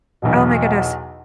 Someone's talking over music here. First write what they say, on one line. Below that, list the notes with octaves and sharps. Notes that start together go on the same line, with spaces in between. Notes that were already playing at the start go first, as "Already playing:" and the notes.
oh my goodness
B1 E2 B2